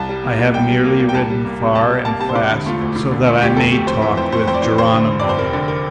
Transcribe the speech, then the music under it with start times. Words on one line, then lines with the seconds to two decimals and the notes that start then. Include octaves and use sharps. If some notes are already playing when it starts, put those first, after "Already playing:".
"I have merely ridden far and fast so that I may talk with Geronimo."
Already playing: C2 A5
0.09 G3
0.24 A#3
0.39 A#2
0.54 C2 G5
0.69 G3
0.84 A#3
0.99 A#2
1.09 G5
1.14 C2 A5
1.30 G3
1.45 A#3
1.60 C3
1.75 C2 A5
1.90 G3
2.05 A#3 A5
2.20 C3 A5
2.29 C5
2.35 E1 D5
2.50 D3
2.66 A3 F4
2.81 D2
2.96 E1
3.11 D3
3.26 A3 F4
3.41 D2 G4
3.57 F2 A4
3.72 A3 G4
3.87 F2 C5
4.02 E3 E5
4.17 F2 C5
4.32 A3 C5
4.47 F2 C5
4.54 D5
4.62 E3 C5
4.78 F1 C5
4.93 D3
5.08 F1
5.19 F2 D5
5.29 C5
5.38 F1 A#4
5.53 D3
5.68 A#4